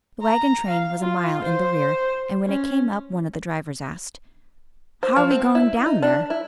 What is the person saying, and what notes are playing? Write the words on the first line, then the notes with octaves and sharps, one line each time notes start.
The wagon train was a mile in the rear, and when it came up one of the drivers asked, "How are we going down there?"
A#5
F5
F4
C5
C#4
C5
F3
C4
E4
D#4
D4
E4